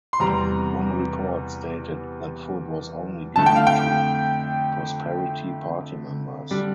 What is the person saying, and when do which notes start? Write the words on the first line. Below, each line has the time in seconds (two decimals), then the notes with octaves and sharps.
One report stated that food was only given to Prosperity Party members.
0.13 C6
0.20 E2 C3 G3 A#5
3.36 F2 D3 A3 A5
3.46 G5
3.56 F5
3.67 G5
6.51 D3 G3 D4